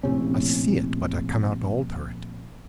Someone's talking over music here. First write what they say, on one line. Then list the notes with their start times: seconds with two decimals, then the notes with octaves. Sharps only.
I see it, but I cannot alter it.
0.03 A#1 A2 C3 C#4